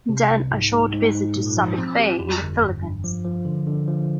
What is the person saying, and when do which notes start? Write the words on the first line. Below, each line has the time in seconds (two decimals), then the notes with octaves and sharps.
Then a short visit to Subic Bay in the Philippines.
0.09 C3
0.31 C2
0.51 G#2
0.72 G#2
0.93 G#2
1.15 G#2
1.36 A#2
1.57 F3
1.78 C4
1.99 G4
2.19 F2
2.41 G1
2.61 G2
2.82 G2
3.04 F3
3.25 F3
3.45 D3
3.66 D3
3.88 F3